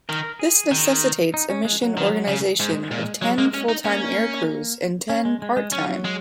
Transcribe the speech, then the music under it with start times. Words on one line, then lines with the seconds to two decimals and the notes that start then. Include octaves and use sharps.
This necessitates a mission organization of ten full-time aircrews and ten part-time.
0.09 D#3 A#4
0.39 G#4
0.72 D#3
1.34 D#4
1.49 C#4
1.65 G#3
1.82 F#3
1.97 D#3
2.28 C#3
2.60 G#2 G#3
2.90 A#2 G#3
3.22 F#3 G#3
3.38 G#3 A#3
3.54 G#3 C#4
3.69 D#4
3.85 A#3 C#4
5.10 C#4
5.25 G#3
5.42 G#3
5.57 G#3
5.72 F#3 C#4
6.05 G#3